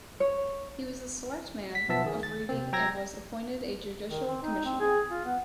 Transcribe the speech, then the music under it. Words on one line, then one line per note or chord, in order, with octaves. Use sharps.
He was a selectman of Reading and was appointed a judicial commissioner.
C#5
B6
B1 F3 B3 E5 A5 B6
D#3 G#4
A6
C3 C4
F#3 G5 A#5 E6 G#6 A#6
D#3
C4
D#4
C4
G#4
F4
B3